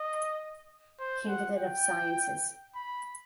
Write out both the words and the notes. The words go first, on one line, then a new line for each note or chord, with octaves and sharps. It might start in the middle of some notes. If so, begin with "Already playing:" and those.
Candidate of Sciences.
Already playing: D#5
C5
F#5
G5
B5